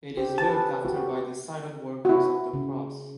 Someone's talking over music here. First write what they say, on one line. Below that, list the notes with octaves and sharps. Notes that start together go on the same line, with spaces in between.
It is looked after by the Silent Workers of the Cross.
D4 G4 C5
G#4 B4 A5
F#4 G4
E4 F#4
C#3